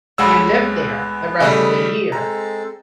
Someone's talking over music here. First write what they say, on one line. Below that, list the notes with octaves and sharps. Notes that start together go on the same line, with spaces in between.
and live there the rest of the year.
D2 G#3 C#5 F#5 B5 E6
B3
C#3 G3 A3 D#5 D#6
G#3 C4 A4 A#5